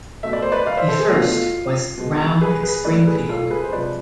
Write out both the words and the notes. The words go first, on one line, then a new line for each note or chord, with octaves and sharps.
The first was "Round Springfield".
B2 A3 E5
D5
C5
B4 D5
D5 F5
C5 E5
A4 C5
G#4
B2 A3 F4
F4
B2 G#3
G#4 B4
G#4 B4
A2 E3 A3 B4 D5
G#4 B4
F4 A4
G#4 B4
C5
C3 F3 G#3 B4 D5